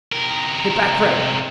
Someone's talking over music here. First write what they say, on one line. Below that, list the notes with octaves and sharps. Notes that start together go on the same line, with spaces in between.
Get back, Gregg!
C3 A#4